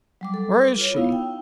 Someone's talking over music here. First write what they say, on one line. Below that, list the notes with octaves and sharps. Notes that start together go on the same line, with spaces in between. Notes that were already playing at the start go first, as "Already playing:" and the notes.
"Where is she?"
F#3 G3 D6
A4
B4
F4 C#5
B3 D#4 E4 F5
G5